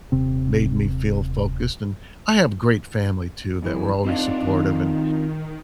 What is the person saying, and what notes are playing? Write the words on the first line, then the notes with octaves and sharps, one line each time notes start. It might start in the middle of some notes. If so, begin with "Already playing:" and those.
made me feel focused and I have great family too that were always supportive and
D#1 C3 C4
F#2 E3
C4 D4 D#4 F4
D#3